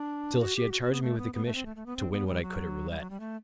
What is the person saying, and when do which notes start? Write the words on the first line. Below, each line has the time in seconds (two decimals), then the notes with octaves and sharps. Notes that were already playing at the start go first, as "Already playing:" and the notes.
Still, she had charged me with a commission--to win what I could at roulette.
Already playing: D4
0.40 F#4
0.56 G4
0.71 F#4
0.81 F#4
0.92 B3
1.03 A3
1.18 B3
1.34 B3
1.45 A3
1.55 C4
1.66 A3
1.76 A3
1.86 B3
1.96 C4
2.12 B3
2.27 G3
2.42 F#3
2.90 G3
2.99 F#3
3.10 G3
3.20 A3